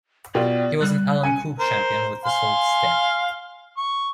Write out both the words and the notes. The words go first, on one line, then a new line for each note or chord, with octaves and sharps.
He was an Allan Cup champion with the Sault Ste.
B2 F4 G4 D5
G3 F#6
C#4 G#5 C#7 D#7
A#4 C5
F5 G#5 C6
C#6